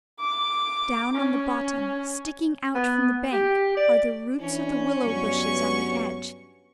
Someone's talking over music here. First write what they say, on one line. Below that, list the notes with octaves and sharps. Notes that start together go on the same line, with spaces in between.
Down on the bottom, sticking out from the bank, are the roots of the willow-bushes on the edge.
D6
C#4
B3
G4
D5
E3 C#4 D4 E4
G2 F#3 B3 C#6